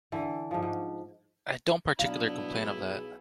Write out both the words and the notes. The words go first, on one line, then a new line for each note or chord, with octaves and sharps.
I don't particular complain of that.
D3 E3
G#2 F3
G#2
B1 B3 D4 E4 F5
G#4